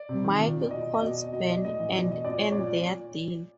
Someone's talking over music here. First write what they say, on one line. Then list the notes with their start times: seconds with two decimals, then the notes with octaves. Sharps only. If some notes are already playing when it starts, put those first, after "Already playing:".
Mike calls Ben and end their deal.
Already playing: D5
0.09 C3
0.24 D#3
0.40 A#2
0.62 D5
0.71 B2 D#5
0.94 D#5
1.02 B2 D5
1.18 D#5
1.33 B2 D#5
1.45 D#5
1.49 D5
1.65 A2 D#5
1.80 E3
1.96 B2 D5
2.11 D#5
2.25 A#2 D5
2.39 C#5
2.52 D5
2.58 A#2